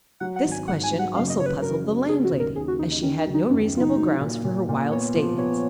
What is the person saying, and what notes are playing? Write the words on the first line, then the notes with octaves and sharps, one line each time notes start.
This question also puzzled the landlady, as she had no reasonable grounds for her wild statements.
F#3 F#5
F#5
G#1
G#5
G#2 F#5
G#5
F#3
F#5
F#1 F5
D#5
C#3 C#5
B4
F#3 A#4
F#3
C#3 G#4
F#4
D#2
A#4
D#2 G#4
F#4
D#2 D#4
D#4
D#3 C#4
D#4
F#3
D#4
F#2 C#4
F#1 F4
D#4
F#3
A#2
A#2
A#2
B3 C#5
F3
B3 C#5